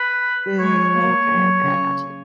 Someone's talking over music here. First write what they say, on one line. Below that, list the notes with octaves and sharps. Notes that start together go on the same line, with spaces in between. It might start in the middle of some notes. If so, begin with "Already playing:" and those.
Mm, okay, okay, I got you.
Already playing: B4
G#3 C#5
A#3
F#3
C#3